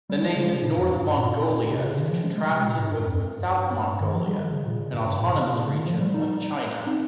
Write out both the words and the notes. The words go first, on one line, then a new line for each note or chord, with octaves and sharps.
The name "North Mongolia" is contrasted with South Mongolia, an autonomous region of China.
G3
G#3
C#3
C3
A#2
F2
G2
G2
A#2
C3
C#3
D#3
F3
G#3
G#3
C3
A#2
G#2
G2
F2
G2
D#3
F3
G3
D#3
C#3
A#2
C#3
G2
G2
A#2
C#3
C3
A#2
C#3
D#3
F3
G3
D#4
C4